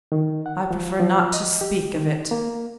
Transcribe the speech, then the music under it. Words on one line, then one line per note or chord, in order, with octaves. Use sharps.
I prefer not to speak of it.'
D#3
F#5
F3
F3
D#5
G4
D#3
A#3